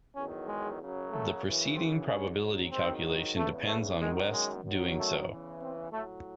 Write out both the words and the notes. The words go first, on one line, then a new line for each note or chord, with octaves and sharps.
The preceding probability calculation depends on West doing so.
E2 D#3 F#3 C#4
G#3
F#2 C#3 F#3
A3
F#2 C#3 E3
C4
G#2 F#3 C#4
G#2 D#3 F#3 C4
E2 C#3 E3 A3
A3
F#2 D#3 F#3 G#3
G#3
F#2 D#3 F#3
A3
E2 C#3 E3
C4
A2 F#3 A3